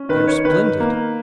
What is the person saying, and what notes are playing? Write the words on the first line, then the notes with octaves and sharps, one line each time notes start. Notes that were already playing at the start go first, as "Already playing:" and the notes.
They are splendid.
Already playing: C#4
D#3 B4
C#5
D#3 B4
A#3